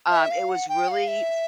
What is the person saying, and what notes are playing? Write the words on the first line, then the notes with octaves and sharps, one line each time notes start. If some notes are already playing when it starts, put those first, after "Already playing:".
um, it was really f
E5
F5
F#5
G5
F#5
F5
E5